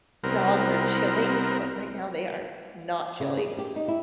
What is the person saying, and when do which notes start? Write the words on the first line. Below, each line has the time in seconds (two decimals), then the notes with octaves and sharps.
dogs are chilling, but right now they are not chilling.
0.24 C2 B3 C4 A#4
3.20 C#3
3.37 G#4
3.58 G4
3.76 D#4
3.88 E4